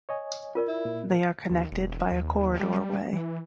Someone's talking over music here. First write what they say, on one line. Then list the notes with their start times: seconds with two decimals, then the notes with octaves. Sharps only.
They are connected by a corridor way.
0.09 C#5 D#5 G#5
0.55 F4 A#4 D5
0.68 E4
0.85 A#2
1.51 D#2
1.72 E1
2.11 D#2
2.33 D#2
2.60 G3
3.13 E3